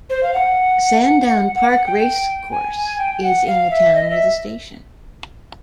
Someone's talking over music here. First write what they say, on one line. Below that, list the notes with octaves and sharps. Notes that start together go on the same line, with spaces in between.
Sandown Park Racecourse is in the town near the station.
C5
F5
F#5
F#5
F#5
G5
G#5
G5
F#5
F5
E5
D#5
E5